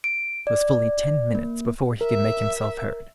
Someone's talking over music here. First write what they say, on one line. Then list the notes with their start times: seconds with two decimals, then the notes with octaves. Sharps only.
It was fully ten minutes before he could make himself heard.
0.04 D7
0.47 D5
1.35 A#3
2.01 A#4 E5